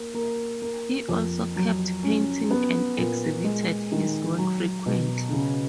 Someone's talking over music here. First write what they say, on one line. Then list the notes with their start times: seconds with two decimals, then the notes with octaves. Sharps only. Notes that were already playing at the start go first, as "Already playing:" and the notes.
He also kept painting and exhibited his work frequently.
Already playing: A#3
0.14 A#3
0.62 A#3
1.09 F2
1.56 F#3
2.03 C#4
2.51 B3
2.97 A#2
3.44 G#3
3.92 D#3
4.38 F#3
4.86 B2
5.33 C#3